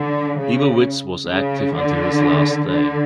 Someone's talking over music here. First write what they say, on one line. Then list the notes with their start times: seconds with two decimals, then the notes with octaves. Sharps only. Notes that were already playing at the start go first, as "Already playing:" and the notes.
Leibowitz was active until his last day.
Already playing: D3
0.38 C#3
1.29 C#3
1.76 D3
2.68 D3